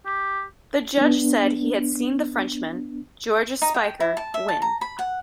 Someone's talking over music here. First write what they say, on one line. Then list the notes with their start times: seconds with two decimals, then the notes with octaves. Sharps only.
The judge said he had seen the Frenchman, Georges Speicher, win.
0.06 G4
0.98 B3 D4
3.62 D#4
3.74 G5
4.00 E4
4.17 A5
4.34 E5
4.48 A5
4.62 A#5
4.81 B5
4.99 F#5